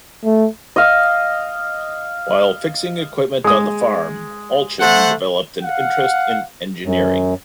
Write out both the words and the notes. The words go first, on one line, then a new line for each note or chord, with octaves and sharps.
While fixing equipment on the farm, Allchin developed an interest in engineering.
A3
D#5 F5
G#3 D#6
A3 C5 F#5
F5 F#5
F#2